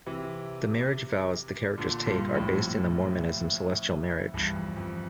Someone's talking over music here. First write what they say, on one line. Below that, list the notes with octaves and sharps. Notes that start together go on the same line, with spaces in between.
The marriage vows the characters take are based in the Mormonism Celestial marriage.
C3 E3
A#2 D3
G2 A#2
F2 A2
E2 G2
F2
F2